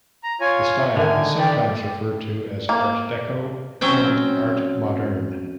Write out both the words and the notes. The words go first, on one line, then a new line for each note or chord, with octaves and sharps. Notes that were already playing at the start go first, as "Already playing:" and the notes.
The style is sometimes referred to as Art Deco and Art Moderne.
A#5
F4 C#5 G#5
D3 D#3 A#4 E5 F#5 G#5
D5 G5
A#3
F#3 C4 C#4 G5